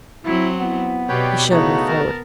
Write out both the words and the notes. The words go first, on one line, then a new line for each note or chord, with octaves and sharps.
He shoved me forward.
F#3 C4 E4
B3 E4
B2 G4 B4 C#5 D5 G5
C#3 A3 B3 D#4 E4 F#4 C#5
A#4 A5